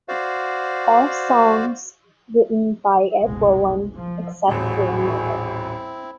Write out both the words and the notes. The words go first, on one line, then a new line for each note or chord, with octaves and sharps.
All songs written by Ed Roland, except where noted.
F#4 C5 D5 F5
F#1 C2 B2 G#3
F3
D#1 A1 C4 E4 F#4 G#4